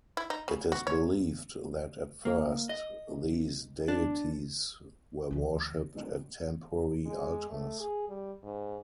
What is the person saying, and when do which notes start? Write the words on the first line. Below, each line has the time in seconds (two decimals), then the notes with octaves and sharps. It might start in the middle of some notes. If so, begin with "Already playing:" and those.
It is believed that, at first, these deities were worshiped at temporary altars.
0.17 E4
0.30 D#4
0.48 C#3
0.72 F#4
0.87 C#5
2.25 A#3
2.69 D#5
3.88 D4
5.31 D2 E3
7.06 G#3
7.50 A3
7.80 G#4
8.09 G3
8.43 G#2